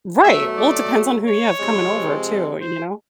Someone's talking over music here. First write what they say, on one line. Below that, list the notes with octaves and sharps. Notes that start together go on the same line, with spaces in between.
Right. Well, it depends on who you have coming over too, you know?
B2 F#3 A3 E5
D5
C#5
C3 F3 G#3 C4
C5